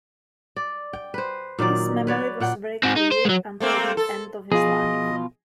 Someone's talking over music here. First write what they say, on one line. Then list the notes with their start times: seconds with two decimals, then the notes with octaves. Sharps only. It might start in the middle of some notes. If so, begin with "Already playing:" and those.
His memory was very clear until the end of his life.
0.56 D5
0.93 G5
1.14 B4 C5
1.59 A#2 D#3 F#3 D5
2.07 B4 C#5 D5
2.40 A#2 F#5 G5
2.84 G#2 C4
2.96 D#4
3.12 C5
3.25 F#3 G#3
3.60 A3 A#3 C4
3.97 A4
4.52 B2 F3 F4 G#4 D#5